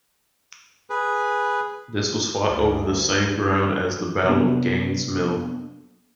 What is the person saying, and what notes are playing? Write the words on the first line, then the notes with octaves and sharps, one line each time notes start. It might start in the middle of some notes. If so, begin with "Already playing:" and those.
This was fought over the same ground as the Battle of Gaines' Mill.
G#4 B4
D2
C3 F#3 A#3 B3 D4